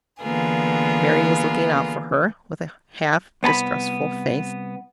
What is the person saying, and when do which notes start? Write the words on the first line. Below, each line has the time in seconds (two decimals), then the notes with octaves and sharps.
Mary was looking out for her, with a half-distrustful face.
0.22 D3 E3 A#3 B3 F4 G#4
3.43 C2 B3 A5 B5